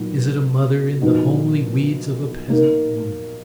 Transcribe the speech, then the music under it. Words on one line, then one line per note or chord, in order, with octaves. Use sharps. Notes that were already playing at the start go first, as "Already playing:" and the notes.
Is it a mother in the homely weeds of a peasant woman?
Already playing: A#2 F#3 B3 D#4
A#2 F3 B3 D#4 F#4
A#3 D#4 A#4